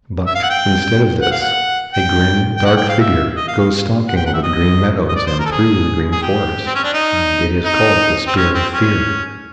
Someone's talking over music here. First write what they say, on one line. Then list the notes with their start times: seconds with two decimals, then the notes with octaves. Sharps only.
But instead of this, a grim, dark figure goes stalking over the Green Meadows and through the Green Forest, and it is called the Spirit of Fear.
0.27 E5
0.35 F5
0.43 F#5
0.50 G5
1.22 F#5
1.31 F5
1.42 F#5
1.93 G5
2.57 G5
2.65 F#5
2.77 G5
2.89 F5
3.00 E5
3.36 D#5
3.48 F5
3.60 F5
4.08 F#5
4.16 G5
4.26 F#5
4.34 E5
4.43 D#5
5.09 D#5
5.15 D5
5.27 C5
5.39 A#4
5.45 A4
5.51 G#4
6.12 G#4
6.22 G4
6.66 C4
6.75 C#4
6.84 D4
6.94 D#4
7.65 D#4
8.27 C4
8.36 C#4
8.54 C4
8.73 C#4